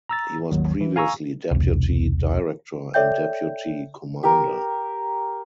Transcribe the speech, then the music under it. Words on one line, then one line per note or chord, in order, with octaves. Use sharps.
He was previously deputy director and deputy commander.
A#5 E6 A6
G#1 D#2 D#3 F#3
E3
F5 G#5 A#5 C#6 E6
E1 C2
A4 C#5 D5 E5 G5 G6
G4 A#4